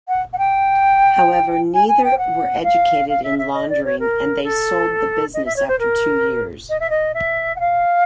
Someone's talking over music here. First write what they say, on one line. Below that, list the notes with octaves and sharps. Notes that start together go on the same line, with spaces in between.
However, neither were educated in laundering, and they sold the business after two years.
F#5
F#5
G5
G#5
G#5
G5
F#5
F5
F5
E5
E5
D#5
D5
C#5
A#4
A4
D#5
E5
C#5
C5
A#4
D#5
E5
D#5
E5
F#5
F5